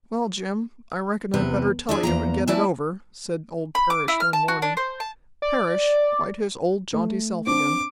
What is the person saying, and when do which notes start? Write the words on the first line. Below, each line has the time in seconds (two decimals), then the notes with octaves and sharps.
"Well, Jim, I reckon I'd better tell you and get it over," said old Parrish one morning--Parrish, quite his old, jaunty self again.
1.34 E2 C3 B4
1.89 D4 E4 G#4
2.03 E2 A#3 A#5
2.47 A3 D#4 E4 D5 G#5 A5
3.75 B5
3.90 D6
4.08 E4
4.20 F6
4.33 A5
4.48 F#4
4.62 D4
4.77 C5
5.00 A5
5.42 D5
6.93 A3
7.47 C4 D4 D6